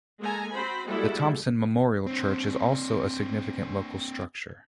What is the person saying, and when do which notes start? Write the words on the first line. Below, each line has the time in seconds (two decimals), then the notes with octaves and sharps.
The Thomson Memorial church is also a significant local structure.
0.20 G#3 A#3 A4 G#5 A#5
0.52 C4 F#4 C5 B5
0.88 G3 G#3 A#3 E4 F#4 A4
2.07 C4 D4